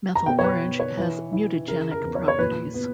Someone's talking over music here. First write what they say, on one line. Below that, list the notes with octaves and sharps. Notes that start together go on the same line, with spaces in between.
Methyl orange has mutagenic properties.
A#5
B2 G5
C#5
B4
B2
C#5
E3
E4
C#3 A#4
A#4
E2
C#5
C#5
A#2 B4
B3